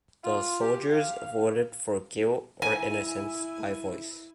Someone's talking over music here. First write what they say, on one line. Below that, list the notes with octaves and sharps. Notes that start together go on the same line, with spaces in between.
The soldiers voted for guilt or innocence by voice.
F4
G4
F5
E4 G#5